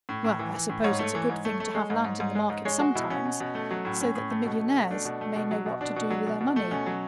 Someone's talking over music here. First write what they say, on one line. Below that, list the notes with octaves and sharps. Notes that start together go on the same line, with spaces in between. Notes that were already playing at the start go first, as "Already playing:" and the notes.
"Well, I suppose it's a good thing to have land in the market sometimes, so that the millionnaires may know what to do with their money."
A2
A2
E3
E3
A2
G#2 C#5
A3
E3
G#2
A3
A3
G#3
G#2
G#2
G#2
G#3
G#2
G#3 C#5
G#3 F#4
B2 E4
B2 C#4
B2
B2
A3
F#3
A2
A2 C#4
A2
A3
B2
A3
B2
A3 D4
B2
A3
B2
F#3
B2
B2 D4
B2
F#3
B2
B2
A3
B2 C#4
F#3